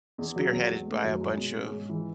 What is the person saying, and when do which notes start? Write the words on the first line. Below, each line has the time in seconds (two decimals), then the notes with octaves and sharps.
spearheaded by a bunch of
0.18 E2
0.36 F#3
0.53 E2
0.70 G#3
0.86 A3
1.04 F#2
1.21 G#3
1.38 B2
1.55 C#4
1.72 G#2
1.89 E3